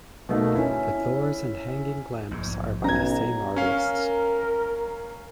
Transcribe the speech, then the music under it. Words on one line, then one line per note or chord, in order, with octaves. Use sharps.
The doors and hanging lamps are by the same artists.
B2 A3 A#3 D#4
C#4 E4
A#1 G#2
B1 C#4 A#5 G#6
C#4 A#4 F5